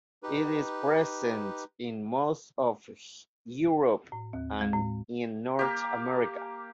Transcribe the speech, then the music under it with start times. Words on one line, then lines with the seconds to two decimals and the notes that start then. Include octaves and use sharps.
It is present in most of Europe and in North America.
0.23 D#4 G4 B4
4.12 A2
4.33 D#2
4.61 G#3
4.74 A2
5.59 A#3 G4